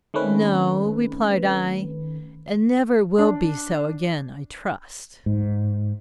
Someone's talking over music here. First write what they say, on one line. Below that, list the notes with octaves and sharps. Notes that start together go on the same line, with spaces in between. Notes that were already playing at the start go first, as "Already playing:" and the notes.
'No,' replied I, 'and never will be so again, I trust.'
D#3 A3 C4 C#4 B4
D4
G#2